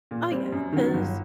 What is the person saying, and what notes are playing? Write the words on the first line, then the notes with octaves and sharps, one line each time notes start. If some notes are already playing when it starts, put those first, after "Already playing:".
Oh, yeah, 'cause
A#2
G3 C4
F#2
D#3 F#3
G1